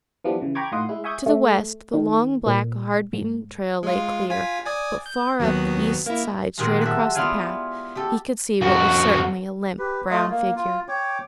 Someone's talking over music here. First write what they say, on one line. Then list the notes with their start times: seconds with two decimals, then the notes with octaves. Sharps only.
To the west, the long, black, hard-beaten trail lay clear; but far up the east side, straight across the path, he could see what was certainly a limp, brown figure.
0.24 E3 F3 G3 B3 D4
0.41 C#3 E3
0.55 G5 A#5 B5 C#6 D6 G#6
0.72 A2 D#4 F4 F#5 C6 D#6
0.89 G#3 E4
1.04 E5 G#5 C#6 D#6 G6 G#6
1.26 A3
1.94 D#3
2.46 A#2
3.13 G#2
3.83 G#3 F4
4.30 F4 G#5 B6
4.66 D5 G#5 D#6
5.06 G6
5.40 D#2 F#3 B3
6.06 A#3 E4
6.57 A#2 D#3 F#3 G#3 G4
6.81 F#4 A4 E5
7.15 B3 E4 F4 D5 F5 G#5
7.95 G4 A4
8.61 F2 F#4
9.79 G4 B4
10.10 A3 F4 D#5
10.30 A#3
10.56 F4
10.88 C#5 G5 D6